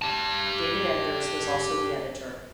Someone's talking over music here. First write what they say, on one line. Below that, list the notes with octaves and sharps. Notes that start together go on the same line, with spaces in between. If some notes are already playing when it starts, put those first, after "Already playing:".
David Enders was also the editor.
G4 A5